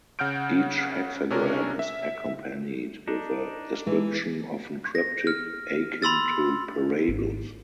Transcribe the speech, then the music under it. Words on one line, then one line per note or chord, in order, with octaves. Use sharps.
Each hexagram is accompanied with a description, often cryptic, akin to parables.
C#3 F#5 F6 G6 D7
C3 C#4 D4 A#4
E5
D4 D#4
E3 G#3
A#6
F6
B5 C6 E6 A6
G#1